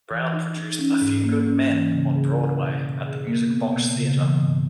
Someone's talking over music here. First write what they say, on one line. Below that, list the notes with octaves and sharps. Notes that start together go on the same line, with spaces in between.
Brown produced "A Few Good Men" on Broadway at the Music Box Theatre.
E3
D#4
D#4
C#4
G#2
A#3
C#4
E3
C#3
G#4
E4
B2
B2
G#4
A#3
B3
B2
C#3
E3
G#2